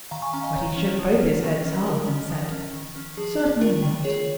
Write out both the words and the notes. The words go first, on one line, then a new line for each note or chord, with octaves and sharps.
But he shook both his heads hard and said, "Certainly not!"
D#3 F5 A#5
G#5 C#6
C#4 F5 A#5
D#5 G#5
D#3 C#5 F5
C#4
F3
C#4
D#3
C#4
F3 A#4 D#5
C#4
F3
C#4
D#3
C#4
F3 G#4
C#4
D#3 F4 A#4
D#3
D#3 G#4 C#5